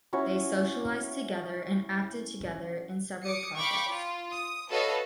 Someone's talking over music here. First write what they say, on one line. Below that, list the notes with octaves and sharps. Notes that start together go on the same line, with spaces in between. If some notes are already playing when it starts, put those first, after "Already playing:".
They socialized together and acted together in several projects.
C#4 E4 F#4 C#5
D6 D#6 C#7
F5 G5 B5 C#6 D6
F4
D#6
F#4 A4 B4 C#5 D#5 F5